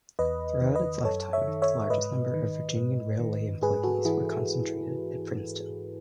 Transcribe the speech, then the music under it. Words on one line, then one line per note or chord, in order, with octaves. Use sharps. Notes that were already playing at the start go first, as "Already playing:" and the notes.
Throughout its lifetime, the largest number of Virginian Railway employees were concentrated at Princeton.
E2 B4 D#5
D#3
B4 D#5
F#2 A4 C#5
C#5 E5
D#3
C#5 E5
G#2 B4 D#5
D#3
G#2
D#3
G#2 G#4 B4
F#4 A4
E3 E4 G#4